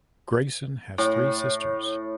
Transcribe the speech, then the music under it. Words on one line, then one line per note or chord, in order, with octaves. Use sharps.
Grayson has three sisters.
A2